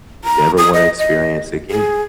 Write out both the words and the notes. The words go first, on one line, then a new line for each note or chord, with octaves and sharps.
you never wanna experience again.
A#5
D#6
D#5
D#5
G#4